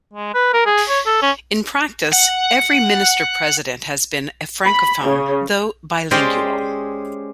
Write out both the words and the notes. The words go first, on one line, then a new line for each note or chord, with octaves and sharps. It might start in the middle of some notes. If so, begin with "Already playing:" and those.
In practice every Minister-President has been a francophone, though bilingual.
G#3
B4
A#4
G#4
C#5
A4
C#4
F#5
B5
C#3
G#3 C#4 G4 C5 D5 D#5